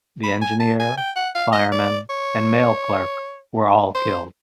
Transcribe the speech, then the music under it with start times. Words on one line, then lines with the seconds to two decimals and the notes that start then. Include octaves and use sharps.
The engineer, fireman, and mail clerk were all killed.
0.23 B5
0.41 G#5
0.60 A5
0.79 G#5
0.97 G5
1.16 F#5
1.35 F5
1.52 D#5
1.72 D5
2.09 C#5
3.94 C5